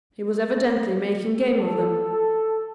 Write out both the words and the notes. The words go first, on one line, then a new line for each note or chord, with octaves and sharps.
He was evidently making game of them.
A4